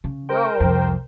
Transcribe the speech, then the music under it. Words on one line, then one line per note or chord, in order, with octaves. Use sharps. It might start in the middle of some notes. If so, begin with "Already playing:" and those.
"Go on."
C#3
A#4 C5 G5
C2 F2